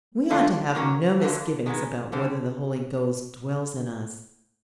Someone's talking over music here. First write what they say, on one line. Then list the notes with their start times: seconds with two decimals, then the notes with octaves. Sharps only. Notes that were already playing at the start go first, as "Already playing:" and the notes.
We ought to have no misgivings about whether the Holy Ghost dwells in us.
0.30 D3 F3 A3 D4 F4
0.75 D#3 F#3 A#3 C#4
1.20 F2 D3 F#3 A3
1.66 D#3 G#3 B3
2.12 D3 G3 C4